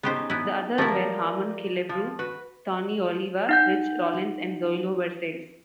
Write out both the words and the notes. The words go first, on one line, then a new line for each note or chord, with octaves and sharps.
The others were Harmon Killebrew, Tony Oliva, Rich Rollins and Zoilo Versalles.
C#3 B3 D#4 G4 C5
B3 E4
F3 G3 A3 E4 A#4
F3
F#4 B4
D#4 F#5 G6